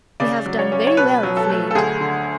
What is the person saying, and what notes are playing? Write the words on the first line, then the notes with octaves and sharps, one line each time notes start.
We have done very well of late.
C#3 D5
F#3
C#5
C#4
C#5
B2 B4
F#3
A4
A3
A4
D2 G#4
D3